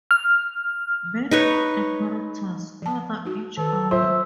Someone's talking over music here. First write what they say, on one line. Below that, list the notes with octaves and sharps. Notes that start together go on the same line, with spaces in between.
Many of the characters "other" each other.
F6
D#4 B4 C#5
F3 A5
D#4 F#4
D#3 A4 B4
F#3 F4 C5 E5